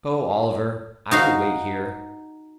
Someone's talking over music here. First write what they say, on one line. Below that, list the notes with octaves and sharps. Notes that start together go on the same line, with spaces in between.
"Go, Oliver; I will wait here."
D#4 F#4 F5